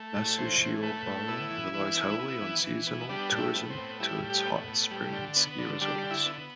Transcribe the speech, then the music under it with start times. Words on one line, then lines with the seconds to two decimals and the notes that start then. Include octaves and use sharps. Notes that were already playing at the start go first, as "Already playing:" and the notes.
Nasushiobara relies heavily on seasonal tourism to its hot spring and ski resorts.
Already playing: A3
0.16 A2
0.38 E3 C5
0.61 A2
0.83 A3 B4
1.06 A2
1.28 B3 E4
1.51 E3
1.74 E3
1.96 B3
2.19 B3
2.42 E3
2.64 E3
2.87 B3
3.09 G3 D4
3.32 A2 D4
3.40 E4
3.55 B3
3.70 C4
3.78 A2
4.00 G3 E4
4.23 A2
4.30 G4
4.45 B3
4.67 A2
4.91 G3
5.13 D3
5.36 B3
5.59 D3
5.81 G3 D4
6.04 D3
6.11 E4
6.26 B3